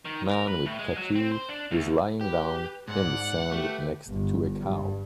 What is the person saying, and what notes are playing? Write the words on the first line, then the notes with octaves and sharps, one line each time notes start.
Man with tattoo is lying down in the sand next to a cow.
D#3
A#4
B4
A2
G#3
F#3
C4
C5
D4
D2
G4 B4
G#2 D5 F#5
A3 G4 B4
G1
G2